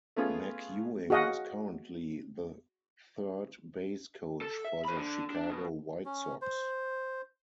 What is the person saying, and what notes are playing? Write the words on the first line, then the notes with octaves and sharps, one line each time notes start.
McEwing is currently the third base coach for the Chicago White Sox.
A3 B3 C#4 F4 G#4
F#4 G#4 D#5 F5 F#5
A4
E5
C5 B5
D3
D4
B2
C#4
C5